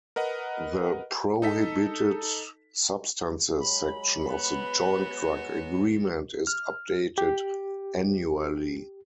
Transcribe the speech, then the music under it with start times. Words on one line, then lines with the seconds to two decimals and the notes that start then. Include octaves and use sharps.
The prohibited substances section of the Joint Drug Agreement is updated annually.
0.16 A#4 B4 D#5 F#5
1.42 D#4 A4 B6
3.59 F#3 G#3 B5
4.27 B3 F#4 B4
6.47 F6
7.18 G4